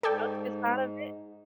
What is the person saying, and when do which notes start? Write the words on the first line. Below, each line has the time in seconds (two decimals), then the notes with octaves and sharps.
melted inside of it.
0.03 G#2 A4 D5 G5